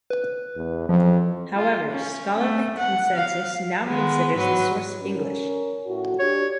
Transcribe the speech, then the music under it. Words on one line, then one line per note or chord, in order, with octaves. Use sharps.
However, scholarly consensus now considers the source English.
B4
E2
F2 F3
F4
C#4
A3
F#5
F5
D#3 G#3 B3
G#2 F#3 B4
C#4 A#4
A2 F#4
D4 G4 C#5